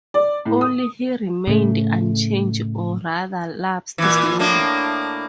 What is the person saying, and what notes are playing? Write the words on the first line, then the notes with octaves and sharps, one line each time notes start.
Only he remained unchanged, or rather, lapsed slowly.
D5
A2
D#6
A2 C#3 A3
A#2 E3
A2 A#3 D4